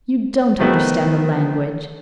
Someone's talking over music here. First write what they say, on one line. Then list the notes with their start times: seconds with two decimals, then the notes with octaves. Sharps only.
You don't understand the language.
0.59 C3 D#3 F3 A3 B3